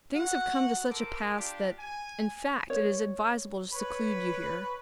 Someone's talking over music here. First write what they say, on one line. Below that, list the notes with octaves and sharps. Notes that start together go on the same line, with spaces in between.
"Things have come to such a pass that, in fact, it is advisable to seclude you here."
F#4 F#5
A4 A#4 C5 D6
D4 F4 G4
G#5
C#5
B4 C#5 B5